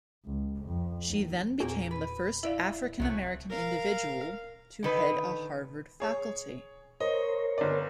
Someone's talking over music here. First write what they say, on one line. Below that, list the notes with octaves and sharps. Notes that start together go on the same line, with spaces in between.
She then became the first African American individual to head a Harvard faculty.
C#2
F2
D#2
E2 A#2 A#3 C4 F#4 G#4
B4
E4 D5 E5 F5
C2 C3 F#3 A3
A#4 F5
D3 D#3 B4
G#4 C#5
A#4 C5 C#5 D#5
G1 D5